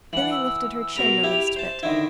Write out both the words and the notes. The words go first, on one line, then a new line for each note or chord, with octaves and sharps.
Billy lifted her chin the least bit.
E3 F#5 F#7
E6
B2 A#4 B5 F7
E4 G4
C5 A5
D3 D#3 E4 D#5